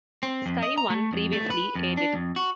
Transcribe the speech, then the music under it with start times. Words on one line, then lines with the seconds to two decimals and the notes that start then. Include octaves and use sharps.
Sky One previously aired it.
0.23 C4
0.46 F2
0.62 D#5
0.78 A#5
0.90 A3
1.13 F2
1.33 A3
1.50 B4
1.75 F2
1.97 D4
2.15 F2
2.36 F#4